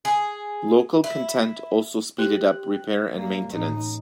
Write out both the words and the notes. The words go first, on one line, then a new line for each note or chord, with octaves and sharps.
Local content also speeded up repair and maintenance.
G#4
E4
G4 C5 F#6
G3 A#3
A1 D#4